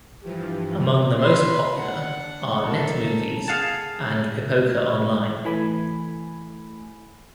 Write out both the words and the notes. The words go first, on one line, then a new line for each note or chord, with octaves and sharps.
Among the most popular are NetMovies and Pipoca Online.
G2 E3 F3 G4
B4 C6
D4 F#5
A4 A#4
G#4 F5 F#5 A5
E3 A3 G#5 B5